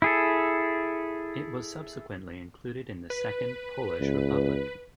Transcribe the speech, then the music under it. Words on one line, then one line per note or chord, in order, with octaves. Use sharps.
It was subsequently included in the Second Polish Republic.
E4 G#4 A4
B4
C#2